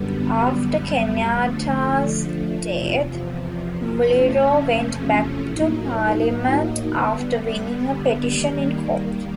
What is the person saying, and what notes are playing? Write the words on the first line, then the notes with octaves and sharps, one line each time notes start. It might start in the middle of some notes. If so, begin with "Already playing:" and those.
After Kenyatta's death, Muliro went back to Parliament after winning a petition in court.
Already playing: F#2 D3 G3 B3
D3 F3 A3
E2 C3 F3
E2 C3 F3 A3 C#4
A2 F#3 A#3 D#4
D3 G3 B3
D#3 G3 A#3